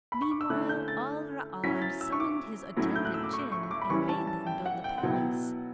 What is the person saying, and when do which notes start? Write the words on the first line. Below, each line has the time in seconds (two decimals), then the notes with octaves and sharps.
Meanwhile, Al-Ra'ad summoned his attendant Jinn and bade them build the palace.
0.12 B5
0.22 C#6
0.31 D6
0.41 E6
0.50 D3 A3 C#4 E4 F#6
0.69 G6
0.88 A6
1.63 F#3 C#4 E4 B6
1.82 A6
2.01 E6
2.12 C#6
2.20 D6
2.77 A2 F#3 A3 C#4 E4
2.96 G6
3.05 F#6
3.14 E6
3.24 D6
3.33 C#6
3.52 C#6
3.63 C#6
3.71 D6
3.81 B5
3.90 E3 G3 C#4 E4 C#6
4.09 A5
4.27 A5
4.47 G5
4.66 F#5
4.84 G5
4.98 F#5
5.03 B2 F#3 B3 E4
5.11 G5